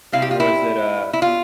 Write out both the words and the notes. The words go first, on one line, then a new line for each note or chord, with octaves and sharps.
Was it a
C3 G3 C4 E4 F5
G4
F4
E4
E4
F4